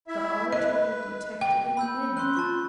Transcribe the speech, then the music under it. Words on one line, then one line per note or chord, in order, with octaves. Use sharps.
The auditor would detect it in a minute.
E4 E5
B4 D#5
G5
B5 E6 G6
C#4 C6 F#6
F4 A5 C6 C#6